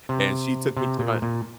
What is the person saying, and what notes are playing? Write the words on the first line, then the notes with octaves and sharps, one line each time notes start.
and she took me to my
C3
C3
A#2
A#2